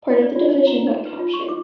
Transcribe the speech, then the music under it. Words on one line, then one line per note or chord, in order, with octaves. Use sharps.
Part of the division got captured.
E4
D5
F4
D#4
A#5
D#4
B4
F4
C#6
D6